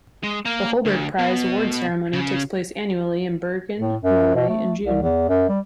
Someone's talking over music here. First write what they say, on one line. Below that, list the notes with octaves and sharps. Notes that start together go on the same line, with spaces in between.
The Holberg Prize award ceremony takes place annually in Bergen, Norway in June.
G#3
A#3 F5
D2
B2
C#3
A2
F#2
B2
A3
C2
E2
F#2
G3